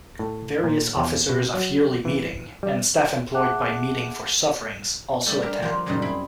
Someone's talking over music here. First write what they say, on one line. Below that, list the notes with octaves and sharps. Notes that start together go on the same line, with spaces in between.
Various officers of Yearly Meeting, and staff employed by Meeting for Sufferings, also attend.
A2
A#2
E2
B2
F#3
E3
G3
G#4 E5 F#5 A5 D6 F#6
G3 A3 D5 E5
D4 G4 A#4 E5 A#5
F3 A#3 G4 A#4 C5
F#2 A#2 C#3 F#3 G3 D#4
C4 E4 G#4 B5 C6